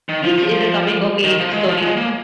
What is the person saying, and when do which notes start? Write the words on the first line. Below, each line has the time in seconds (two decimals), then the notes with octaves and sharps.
Each is a coming of age story.
0.09 D#3
0.23 F3
0.38 F3
1.24 D#3
1.39 F3
1.53 G#3
1.68 F3
1.82 G#3
1.97 A#3